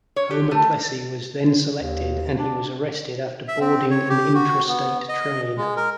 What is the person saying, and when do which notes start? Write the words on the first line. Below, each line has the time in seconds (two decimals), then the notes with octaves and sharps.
Homer Plessy was then selected and he was arrested after boarding an intrastate train.
0.16 C#5
0.31 G4
0.51 A3
1.82 D#2
2.38 D4
3.48 E5
3.61 C4
3.91 C#5
4.09 G4
4.35 F#4
4.68 B3
5.09 D#5
5.57 G#3
5.76 A#4